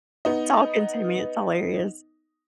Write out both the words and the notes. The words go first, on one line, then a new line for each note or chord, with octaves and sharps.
talking to me, it's hilarious.
B3 D#4 D#5